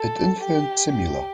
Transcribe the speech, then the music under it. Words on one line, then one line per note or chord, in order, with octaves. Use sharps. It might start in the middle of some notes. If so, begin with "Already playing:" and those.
It influenced Simula.
Already playing: A4
G4
G4